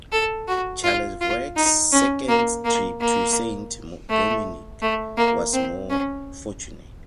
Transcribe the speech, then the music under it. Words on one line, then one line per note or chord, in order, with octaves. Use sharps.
Charlevoix's second trip to Saint-Domingue was more fortunate.
A4
F#4
F4
F4
D#4
C#4
A#3
A#3
A#3
A3
A3
A#3
C4
C#4